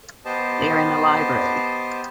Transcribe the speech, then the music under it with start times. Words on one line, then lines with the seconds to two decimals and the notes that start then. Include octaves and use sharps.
They are in the library.
0.25 B3 G4 C5 D#5 A5